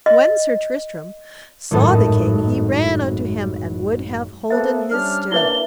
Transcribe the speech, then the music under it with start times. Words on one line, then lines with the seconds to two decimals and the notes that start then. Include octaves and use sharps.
And when Sir Tristram saw the king he ran unto him and would have holden his stirrup.
0.06 D#5
1.71 G#1 F#2 A2 D#4 A5 D#6
4.50 A#3 B3 A4 C5 E5
4.91 G3 C#4 D4 F6
5.32 A#3 C#4 D4 E4 B4 E5 G7